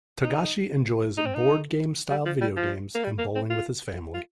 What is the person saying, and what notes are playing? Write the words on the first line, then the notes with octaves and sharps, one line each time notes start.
Togashi enjoys board-game-style video games and bowling with his family.
D#4
D#4
C4
D#4
G3
F3
G3
F3
A#3
G3
A#3
C4
F4
F4